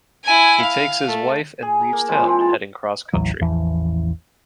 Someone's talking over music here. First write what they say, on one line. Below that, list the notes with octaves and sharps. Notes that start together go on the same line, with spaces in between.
He takes his wife and leaves town, heading cross country.
E4 G#5
F5
A3
G#4
A#5
A#3
F3 G#3 C4 B4
E3 F3 C4 F4
A5
A1 D#2 E3 F#3
A1 E2 E3 F3